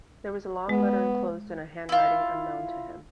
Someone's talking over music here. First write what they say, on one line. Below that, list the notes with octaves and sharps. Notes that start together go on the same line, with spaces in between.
There was a long letter enclosed in a handwriting unknown to him.
G#3 B3
E4 F4